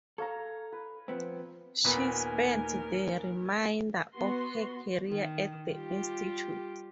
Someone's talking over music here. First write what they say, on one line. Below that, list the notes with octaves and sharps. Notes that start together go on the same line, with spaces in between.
She spent the remainder of her career at the institute.
A4 C#5 F5 A#5
B4
F3 B3 C4
D#2 A#2 B3 A#4 G#5
B3 F#4 C6
D#3
G3 F4 G4